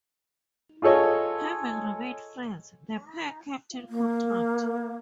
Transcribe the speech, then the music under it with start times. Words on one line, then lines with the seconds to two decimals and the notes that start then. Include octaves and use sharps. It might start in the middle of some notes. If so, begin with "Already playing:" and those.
Having remained friends, the pair kept in contact.
0.82 F4 G#4 A4 C#5 D#5
3.89 A#3